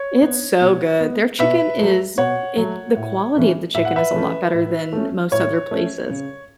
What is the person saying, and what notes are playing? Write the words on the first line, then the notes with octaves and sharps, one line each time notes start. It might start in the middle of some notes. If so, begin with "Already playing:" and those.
It's so good. Their chicken is it the quality of the chicken is a lot better than most other places.
Already playing: C#5
B3
B2
B3
B2 B4 E5
F#3 A3
B2 C#5 F#5
F#3 A3
A2
E3 A3 C#4
A2 E5
F#5
B4 E5
E3 A3 C#4
A2
A3 C#4
A2 C#5
A3 C#4
C#3